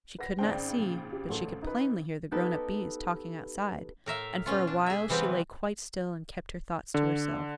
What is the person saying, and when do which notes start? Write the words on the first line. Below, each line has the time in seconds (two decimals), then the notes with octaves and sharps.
She could not see, but she could plainly hear the grown-up Bees talking outside, and for a while she lay quite still and kept her thoughts to herself.
0.19 B4 F#5 A#6
0.39 G#1 C#3 C5 D5 G5
0.78 A#1
1.13 G4
1.29 A1 A4 C6
1.63 D#4 B4
2.31 B3 D#4 G4 A4 B4
4.06 A2 A#4 E5 F5
4.46 B2 C#4 F4
4.67 D4
4.86 G#4 E5
5.09 C3 E3 G3 B3 C4
6.94 D3